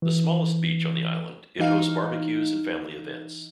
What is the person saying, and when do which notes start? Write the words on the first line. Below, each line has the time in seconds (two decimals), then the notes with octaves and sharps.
The smallest beach on the island, it hosts barbecues and family events.
0.02 E3
1.59 E3 D#4 F5